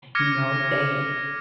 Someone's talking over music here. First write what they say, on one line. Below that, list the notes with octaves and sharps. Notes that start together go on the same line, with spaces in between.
You know, they
D6 F6 G#6 A#6 C#7 D#7